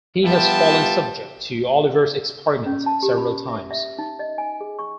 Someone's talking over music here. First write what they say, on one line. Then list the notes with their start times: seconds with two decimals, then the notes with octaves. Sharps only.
He has fallen subject to Oliver's experiments several times.
0.25 G3 B3 F4 E5 G5 A5
2.66 C#4
2.86 A5
3.03 G4
3.18 B5
3.48 E5
3.71 E5
3.98 D#4
4.19 D#5
4.38 G#5
4.61 G#4
4.79 C#6